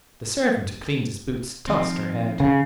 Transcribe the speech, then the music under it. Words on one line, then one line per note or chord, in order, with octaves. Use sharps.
The servant who cleaned his boots tossed her head.
D#3 F3 C4
C#3